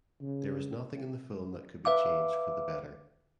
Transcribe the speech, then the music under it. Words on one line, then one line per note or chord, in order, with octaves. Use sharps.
There is nothing in the film that could be changed for the better.
C#3
B4 E5 F5 D6